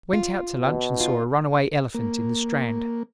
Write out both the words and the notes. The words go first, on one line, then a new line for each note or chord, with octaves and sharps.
Went out to lunch and saw a runaway elephant in the Strand.
F4
B2
D#4 F4
A#3